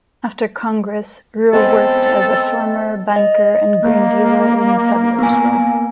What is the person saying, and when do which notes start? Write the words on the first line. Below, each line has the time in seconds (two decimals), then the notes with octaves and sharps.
After Congress, Roe worked as a farmer, banker, and grain dealer in Sudlersville.
1.53 G#3 B3 C4 A4
3.16 D#5
3.81 A#3
5.19 B3 G#5